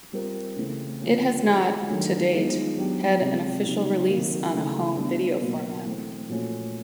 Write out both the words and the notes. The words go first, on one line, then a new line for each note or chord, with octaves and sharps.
It has not, to date, had an official release on a home video format.
G3 C4 F4 A#4
C#3 E3 A3 C4 E4
D3 F3 A#3 C#4
E3 G#3 C#4 F4
D#3 F#3 A3 D4
F3 G#3 B3 D#4
F#3 B3 D4 G4
C3 F3 G#3
C#3 F#3 B3 D#4 G4
C3 D#3 F#3 A#3 D#4
C#3 E3 A3 C#4
G3 B3 D4
B2 F#3 A#3
E3 A3 C4
A#2 F3 A3 C#4 F#4